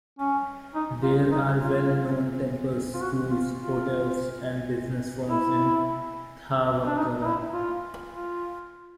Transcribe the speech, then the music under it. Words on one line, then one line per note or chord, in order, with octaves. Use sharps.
There are well known temples, schools, hotels and business firms in Thavakkara.
C#4
D#4
F4
D#4
F4
F4
F#4
F4
F4
E4
D4
D#4
D#4
E4
F4
F4